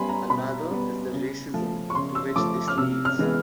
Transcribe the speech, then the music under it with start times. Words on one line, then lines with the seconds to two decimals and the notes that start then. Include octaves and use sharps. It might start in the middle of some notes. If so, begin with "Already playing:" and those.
Another is the racism to which this leads.
Already playing: G3 B3 G#5 B5 C6
0.09 A#5
0.30 B2 B5
0.71 G3 B3
1.12 C#3
1.54 F3 A3
1.90 C#6
1.95 C#3 C6
2.15 E6
2.36 F3 A3 D6
2.68 F6
2.77 C3 E6
3.05 F6
3.19 E3 G#3 B3